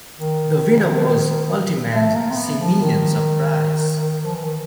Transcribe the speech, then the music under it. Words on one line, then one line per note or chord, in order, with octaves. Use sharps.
The winner was Multiman's Simian Surprise.
D#3
A3
A#3
C4
B3
F3
D#3
F3
E3
D#3